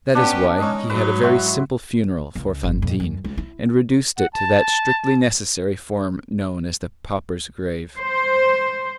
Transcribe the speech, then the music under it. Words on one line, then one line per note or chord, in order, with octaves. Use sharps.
That is why he had a very simple funeral for Fantine, and reduced it to that strictly necessary form known as the pauper's grave.
B3 C#4 D4 G4
G#3 C#4 D#4 D#5
G#2 F#3 D#4 B4
E4 F#4 C6
C#2 C#3
G1
F2 A#2
F#2 D3
C#2
E4
F#5
A5
C5